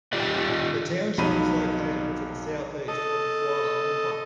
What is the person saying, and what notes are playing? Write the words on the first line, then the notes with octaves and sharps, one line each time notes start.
The township is located to the south-east of Kuala Lumpur.
F4 G4 D5 D#5
B1 F2 F#3 D#4 B5 D#7
A4 D#5